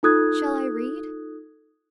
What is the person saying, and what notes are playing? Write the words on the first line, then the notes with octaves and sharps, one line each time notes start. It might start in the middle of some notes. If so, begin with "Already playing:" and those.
Shall I read?
D#4 F4 A4 D#6 F#6 G#6